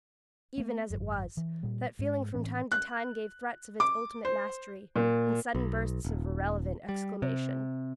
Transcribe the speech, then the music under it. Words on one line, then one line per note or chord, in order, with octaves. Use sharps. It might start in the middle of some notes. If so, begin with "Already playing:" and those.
Even as it was, that feeling from time to time gave threats of its ultimate mastery, in sudden bursts of irrelevant exclamation.
A3 B3
G#1 F#2
E3
A#2 G3
G#2 G#3
A2 E3 C4 C#4
F#6
D6
C5
A#2
B1
D#1
G3
C3